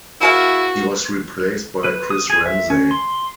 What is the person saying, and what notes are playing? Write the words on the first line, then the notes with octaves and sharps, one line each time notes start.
He was replaced by Chris Ramsey.
A#3 E4 F#4 G#4 F5
B4
D#6
G#4
E5
C#4
C6